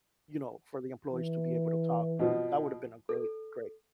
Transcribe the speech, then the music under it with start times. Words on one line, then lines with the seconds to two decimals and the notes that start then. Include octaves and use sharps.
you know, for the employees to be able to talk, but that would have been a great, great
1.12 E3
2.19 B2 F3
3.09 A4